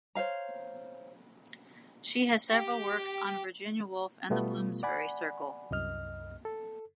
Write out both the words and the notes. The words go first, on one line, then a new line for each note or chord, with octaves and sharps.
She has several works on Virginia Woolf and the Bloomsbury Circle.
C5 C#5 F5 A#5
G4 G5
B2 G3 A3 B3 F4
D5 F#5 G#5 B5
C2 F#2 D#5 F6
A4